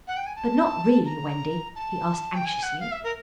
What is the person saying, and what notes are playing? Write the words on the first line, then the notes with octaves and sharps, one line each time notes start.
'But not really, Wendy?' he asked anxiously.
F#5
G5
G#5
A5
A#5
A5
G5
G#5
F#5
F5
E5
A#4